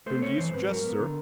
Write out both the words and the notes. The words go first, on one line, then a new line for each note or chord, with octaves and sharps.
"Whom do you suggest, sir?"
A3 C5
C4 C#5
E3 C5
G#2 B4
F#3 A#4
B3
D3